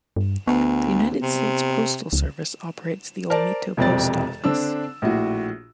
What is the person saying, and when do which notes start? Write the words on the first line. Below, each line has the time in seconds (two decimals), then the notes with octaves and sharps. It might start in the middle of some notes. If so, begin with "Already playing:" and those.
The United States Postal Service operates the Olmito Post Office.
0.16 G2
0.47 D2 B3
1.22 C3
2.13 C#2
3.30 A#4 C5 D5 A5
3.77 E1 F2 C3 C4 D5 A6
4.44 D3 C4 D4 E6
5.02 A#1 A2 F#4